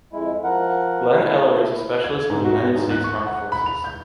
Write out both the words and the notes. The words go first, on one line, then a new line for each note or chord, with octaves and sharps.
Glenn Eller is a specialist in the United States Armed Forces.
F2 G#3 E4
F3 A#4 F#5
A3 E4
G#6
G#2
F#4
B3
G#2
F#6
C#6
F#5
B5
F7
G6